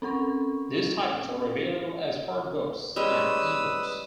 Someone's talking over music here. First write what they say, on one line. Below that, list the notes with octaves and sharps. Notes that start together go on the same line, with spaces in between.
These titles are available as hard books and ebooks.
C4 C#4 A4 C#6
G3 G#3 C#4 B4 D#6 E6